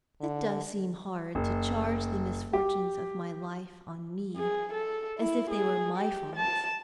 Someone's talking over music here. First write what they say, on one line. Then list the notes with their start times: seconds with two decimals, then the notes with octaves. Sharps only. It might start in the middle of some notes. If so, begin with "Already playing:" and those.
It does seem hard to charge the misfortunes of my life on me, as if they were my faults.
0.21 D3
1.35 F#1
2.53 G4
4.37 G#4
4.73 A4
5.20 E4
5.51 G#4
5.97 G4
6.36 A5